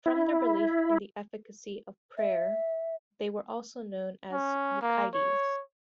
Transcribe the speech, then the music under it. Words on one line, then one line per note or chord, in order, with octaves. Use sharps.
From their belief in the efficacy of prayer, they were also known as Euchites.
E4
E5
C#4
A#3
C#5